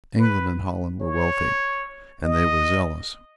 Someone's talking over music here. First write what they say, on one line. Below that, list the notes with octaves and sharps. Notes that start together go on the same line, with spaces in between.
England and Holland were wealthy; and they were zealous.
B4
C#5
D#5